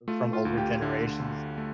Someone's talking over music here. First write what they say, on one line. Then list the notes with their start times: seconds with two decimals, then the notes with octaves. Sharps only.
from older generations,
0.08 A3 F4
0.33 F4
0.45 D2
0.57 G4
0.82 D3
1.20 D2
1.58 A3